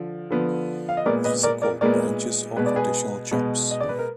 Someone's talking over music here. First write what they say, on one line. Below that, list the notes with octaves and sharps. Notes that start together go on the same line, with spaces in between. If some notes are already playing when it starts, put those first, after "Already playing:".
These are called branches, or conditional jumps.
Already playing: D3 F3
D3 F3 B3
F5
D#5
A#2 G#3 B3 A#4 D5
B4 D#5
A#4 D5
A#4 D5
A#2 G#3 B3 A#4 D5
B2 G#3 B3 B4
D5
G#4 B4
B2 G#3 B3
D#5
D5
B4
A#4